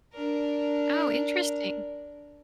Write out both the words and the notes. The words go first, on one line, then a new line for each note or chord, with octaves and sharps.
Oh, interesting.
D4 A#4